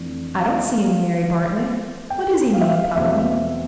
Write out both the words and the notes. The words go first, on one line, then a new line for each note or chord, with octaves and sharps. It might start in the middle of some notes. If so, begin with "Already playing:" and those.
"I don't see any Mary Bartlett. What does he mean, Polly?"
Already playing: F2 E3 A3 D4
F5
G5
F5
E5
F5
E2 B2 A3 C4 E5